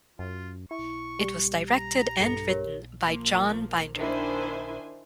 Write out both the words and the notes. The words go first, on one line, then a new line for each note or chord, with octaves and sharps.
It was directed and written by John Binder.
F#2 F4
E4 C#6
G3 G4
A#5
G2 A4 C#7
G4 A#4 C#5
F3 A#3
D#3 D4 E4 C5 G#5